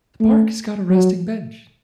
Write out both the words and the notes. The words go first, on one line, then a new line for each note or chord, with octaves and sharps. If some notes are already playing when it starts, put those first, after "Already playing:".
The park has got a resting bench.
A3
F#3